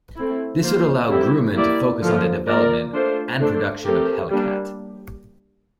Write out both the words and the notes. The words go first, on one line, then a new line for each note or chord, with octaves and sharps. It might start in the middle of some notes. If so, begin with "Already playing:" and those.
This would allow Grumman to focus on the development and production of Hellcat.
A3 C4 E4
A#3 F4 C5
D3 G3 C4 E4 G4
A#3 E4 G4 D5
D3 F3 A#3 F4
A#3 F4 A#4 D5
A3 D4 F4 C5
A3 D4 A4 C5
A3 C4 G4 A#4
G3 A#3 D4